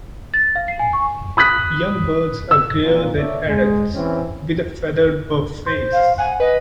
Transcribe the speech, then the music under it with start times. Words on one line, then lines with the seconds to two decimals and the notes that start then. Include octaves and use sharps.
Young birds are greyer than adults, with a feathered buff face.
0.34 A6
0.56 F5
0.68 C7
0.79 G#5
0.93 C#6
1.37 B5 D#6 F#6 B6
2.51 E6
2.83 F2 A#2
3.16 D4 C#5 D5 E5
3.48 G#3
3.94 E3 C4 C#4
5.66 C5
5.93 F5
6.18 F#5 G#5
6.40 B4 D#5